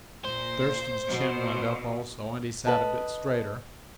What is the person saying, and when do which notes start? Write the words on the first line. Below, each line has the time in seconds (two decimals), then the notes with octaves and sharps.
Thurston's chin went up also, and he sat a bit straighter.
0.25 A#2 C5
1.06 B2
2.67 B4 D#5 A5